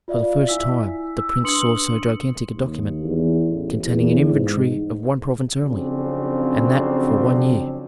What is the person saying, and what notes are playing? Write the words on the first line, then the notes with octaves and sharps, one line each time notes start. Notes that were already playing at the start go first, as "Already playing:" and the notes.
For the first time the prince saw so gigantic a document, containing an inventory of one province only and that for one year.
F4 D5 E5 F5
E4 G#5 E6 B6
E6
D4 B4 C6 D#6 C#7 F#7
D#2
E2
A1
E2
G#2
F2 C#3 F#3 C4 D4